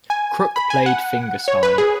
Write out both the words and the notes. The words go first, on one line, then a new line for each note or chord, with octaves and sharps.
Crook played fingerstyle.
G#5
B5
G#5
F#5
C#5
B4
G#4